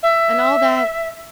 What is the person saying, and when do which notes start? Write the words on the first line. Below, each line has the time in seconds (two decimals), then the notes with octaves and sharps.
And all that.
0.03 E5